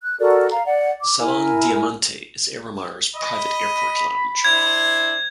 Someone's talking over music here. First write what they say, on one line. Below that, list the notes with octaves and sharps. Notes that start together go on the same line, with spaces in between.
Salon Diamante is Aeromar's private airport lounge.
F#6
F#4 A4 A#4 D5
F5 A#5
D5 F#5
D6
E4 A#4 G#5
D#5 B5
D4 E4 C5 G#6